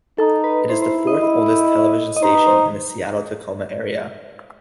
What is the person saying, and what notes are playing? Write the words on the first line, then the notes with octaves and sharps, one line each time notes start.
It is the fourth-oldest television station in the Seattle-Tacoma area.
D#4 A4
B4
E4 C5
C5
D#5
E4
D#5
D#4 C5
B4
C5